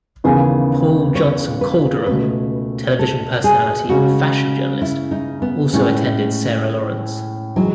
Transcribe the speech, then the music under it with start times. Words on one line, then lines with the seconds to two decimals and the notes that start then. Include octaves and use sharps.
Paul Johnson Calderon, television personality and fashion journalist also attended Sarah Lawrence.
0.24 D#2 C#3 E3 B3 G#4
1.15 C#5
1.61 B4
2.07 C#2 B2 A3 B4
2.99 A4
3.44 G#4
3.89 C#3 G#3 C#4 F#4
4.82 E4
5.11 D#4
5.42 B3
5.73 A2 G#3 A3 C#4
7.56 E3 F#3 G#3 D#4